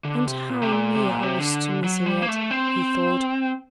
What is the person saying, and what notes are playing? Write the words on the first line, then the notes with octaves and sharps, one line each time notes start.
"And how near I was to missing it!" he thought.
D3
C3
A#2
C3
A#2
C3
A#2
C3
D3
F#3
G3
A#3
A3
C4